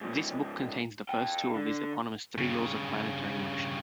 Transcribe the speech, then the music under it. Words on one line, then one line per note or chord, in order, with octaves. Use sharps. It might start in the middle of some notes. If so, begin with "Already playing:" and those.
This book contains the first two of his eponymous three laws of planetary motion.
G#2 F3
F5 G5
D3
G2 C#3